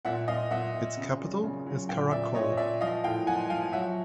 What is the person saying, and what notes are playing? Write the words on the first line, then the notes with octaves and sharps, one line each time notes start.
Its capital is Karakol.
A#2 E5 F#5
A#2 D#5 F5
A#2 E5 F#5
A#2
C#3
F#3
C#3
F#3
A#2 F5 G5
A#2 D5 E5
A#2 C#5 D#5
A#2 D5 E5
F3 D#5 F5
A2 F5 G5
F3 F#5 G#5
F3 F5 G5
F#3 E5 F#5